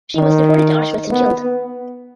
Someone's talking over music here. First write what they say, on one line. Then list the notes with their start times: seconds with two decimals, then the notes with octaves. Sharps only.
She was deported to Auschwitz and killed.
0.16 D#3
1.11 B3
1.42 B3